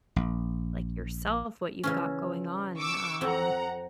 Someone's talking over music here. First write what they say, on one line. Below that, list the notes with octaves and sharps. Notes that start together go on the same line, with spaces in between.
like, yourself, what you've got going on, um
A#1
C#3 E3 C#4
C#6 D6 E6
F2 C4 F#5 A#5